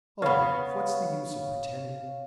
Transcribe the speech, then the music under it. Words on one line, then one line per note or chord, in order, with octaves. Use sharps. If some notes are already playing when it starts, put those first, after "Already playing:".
Oh, Ralph, what's the use of pretending?
C#3 B3 B4 C#5 F5 B5